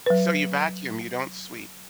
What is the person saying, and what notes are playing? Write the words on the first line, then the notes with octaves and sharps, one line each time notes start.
So you vacuum, you don't sweep.
F#3 B4